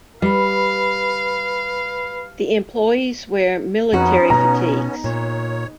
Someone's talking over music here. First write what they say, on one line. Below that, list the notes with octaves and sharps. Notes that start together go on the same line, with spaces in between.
The employees wear military fatigues.
G3 B4 F5 B5
F2 B3 C#4 D#4 F#4 G#4 B4
B2 A#5
A#2 C#5